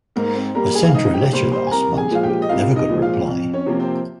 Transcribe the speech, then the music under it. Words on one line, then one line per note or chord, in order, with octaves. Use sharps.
I sent her a letter last month but never got a reply.
G#2 A#3 A#4
C4 C5
G3 A#3 A#4 A#5
G#4 G#5
F5
G#2 D#4 D#5
G4 G5
G3 A#3 C5 C6
C5 C6
G#5
C2 A#4 A#5
G#4 G#5
A#2 F3 G#3 F5
G4 G5
D#5
C2 F4 F5
D#4 D#5
A#2 F3 G#3
F4 F5
F2
C#4 C#5
C3 F3 A#3
C4 C5